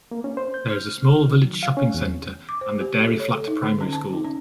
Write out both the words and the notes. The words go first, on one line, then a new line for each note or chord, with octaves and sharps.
There is a small village shopping centre and the Dairy Flat Primary School.
A#3
C#4
C5
G6
F6
D#3
F#3
F5
C#4
E2
D6
C5
G4
A4
C#5
A4
D#4
D3
C#4
A5
D#4
C#4